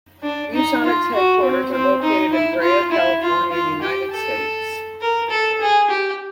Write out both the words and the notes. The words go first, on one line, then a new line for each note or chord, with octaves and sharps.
ViewSonic's headquarters are located in Brea, California, United States.
D4
D#4
F4
F#4
C4
C4
D#4
E4
F4
E4
F4
F4
G4
A4
A#4
A4
G#4
G4